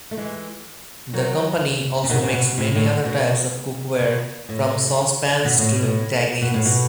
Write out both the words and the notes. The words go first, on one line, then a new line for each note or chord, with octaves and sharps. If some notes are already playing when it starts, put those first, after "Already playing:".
The company also makes many other types of cookware, from sauce pans to tagines.
A3
E3 G#3
D#3 F#3
C#3
B2 D#3
C#3
B2
A2
A2
B2
B2
A2
B2
A2
A2
B2
A2
B2